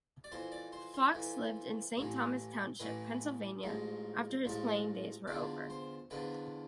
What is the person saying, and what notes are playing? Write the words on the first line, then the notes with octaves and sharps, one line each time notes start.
Fox lived in Saint Thomas Township, Pennsylvania after his playing days were over.
D5
F2 E3 C5
D5
C5
C5
F2 E3
A1 A2 E3
A1 A2 E3 B4
A1 G#2 F3
A1 G#2 F3
E2 D3 F3 D5
C5
E2 D3 F3 B4